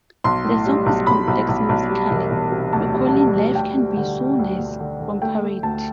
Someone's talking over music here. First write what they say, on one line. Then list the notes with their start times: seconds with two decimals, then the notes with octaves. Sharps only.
The song is complex musically, recalling "Life Can Be So Nice" from "Parade".
0.24 B1 C6
0.45 A2
0.66 G3
0.86 B1
1.07 B1 B5
1.28 B1
1.49 B1
1.69 B1
1.89 G3
2.11 E1
2.31 E1
2.52 C3
2.73 D2 A5
2.93 G3
3.14 G3
3.35 D2
3.55 G3 G5
3.76 G3
3.97 D3
4.18 G3
4.39 D2
4.59 D2
4.80 D3
5.01 D3
5.22 A3 G5
5.42 A3
5.63 D2 A5